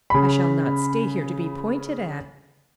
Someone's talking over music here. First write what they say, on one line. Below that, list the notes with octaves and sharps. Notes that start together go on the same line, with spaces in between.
I shall not stay here to be pointed at.
C#3 B5